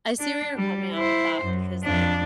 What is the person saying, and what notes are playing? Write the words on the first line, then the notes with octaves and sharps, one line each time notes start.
I see where you're coming at with that because like
D4
G3
E4 C5
F#2
F2 D4